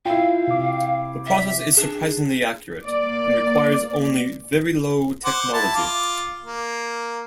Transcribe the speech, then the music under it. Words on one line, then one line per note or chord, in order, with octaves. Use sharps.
The process is surprisingly accurate and requires only very low technology.
E4 F4 F5 G5
C3 D6
E5
D4 G#4
A#3 D5
C5 F#5 D6
E4 A5
F4 D6
A#3